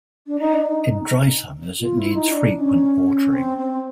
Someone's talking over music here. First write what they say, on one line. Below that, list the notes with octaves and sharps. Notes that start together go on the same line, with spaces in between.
In dry summers it needs frequent watering.
D4
D#4
D4
D#4
F4
E4
D#4
D4
C#4
C4
C4